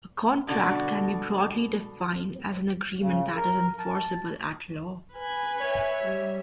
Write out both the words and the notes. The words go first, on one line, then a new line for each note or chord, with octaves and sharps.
A contract can be broadly defined as an agreement that is enforceable at law.
B2 D3 D4 F#4
C#3
A#4
A5
B4 G#5
C#5 E5
G3